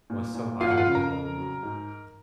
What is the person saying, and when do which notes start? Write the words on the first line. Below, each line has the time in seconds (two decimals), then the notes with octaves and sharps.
was so eye-opening,
0.10 A#2
0.35 A#2
0.61 F2 F4 F5
0.71 F#5
0.78 F4 F5
0.86 C#3
0.95 A#4 A#5
1.12 F2
1.38 F#3
1.63 G#2